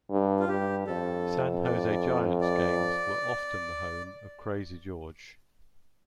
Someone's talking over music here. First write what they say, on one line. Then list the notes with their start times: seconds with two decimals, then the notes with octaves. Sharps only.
San Jose Giants games were often the home of Krazy George.
0.10 G2
0.39 F4
0.48 G2 G4
0.87 F2 A4
1.64 D5
2.41 D5